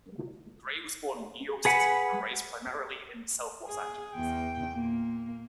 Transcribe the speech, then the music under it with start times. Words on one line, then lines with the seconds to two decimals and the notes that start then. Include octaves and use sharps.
Gray was born in New York City and raised primarily in South Los Angeles.
1.65 G#4 B4 F#5 G#5 B5
3.68 G#4
4.15 E2 G5
4.74 A#2 A#3